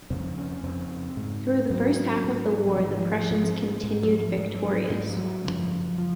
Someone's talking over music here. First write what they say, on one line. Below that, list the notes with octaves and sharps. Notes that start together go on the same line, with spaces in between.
Through the first half of the war, the Prussians continued victorious.
F2 C#3 C4
C#4
F2 C#3 C4
G#2
G#2 F#3
G#2
F#3
G#2 F3
D#3
F3
F3
G#2 F3
C4
A#3
G#3
G#2 G#3
F#3
F3
G#2 G#3
F#3
F3
F#3
G#2 G#3
F3
F#3
F#2 C#3 F3
F3